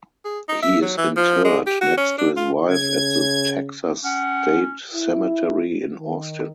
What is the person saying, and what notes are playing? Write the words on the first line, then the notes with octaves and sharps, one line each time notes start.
He is interred next to his wife at the Texas State Cemetery in Austin.
G#4
D#4
E5
F#3
E3
F3
G#3
G4
F#4
C#4
D4
F4
C#3 G#6
C#4 F#5
E4
D#3